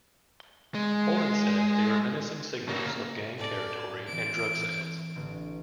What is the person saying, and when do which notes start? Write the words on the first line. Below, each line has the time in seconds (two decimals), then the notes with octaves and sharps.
Holden said they were menacing signals of gang territory and drug sales.
0.75 G#3
2.68 C#3 A#3
3.38 A2 A4 D5 G#5
3.76 G#6
4.08 E3 C4 D7
5.15 A1 D3